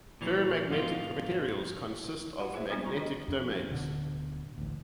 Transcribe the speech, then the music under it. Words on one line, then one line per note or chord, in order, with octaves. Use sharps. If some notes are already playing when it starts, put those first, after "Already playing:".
Ferromagnetic materials consist of magnetic domains.
A#2 E3 F#3
G#2 B2 F3 F4
F#4 G4 F#5
F4 G#4 C5 E5
G3 G#3 B3 C4 D4 G4
D#3 A#5 C#6
D4 F#4 G4 D#5
F2 C#4
D1 B2 D3
A1 D2